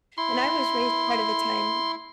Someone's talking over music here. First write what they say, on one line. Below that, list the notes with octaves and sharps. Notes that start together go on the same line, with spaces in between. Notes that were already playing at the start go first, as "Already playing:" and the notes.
And I was raised part of the time
E4 C6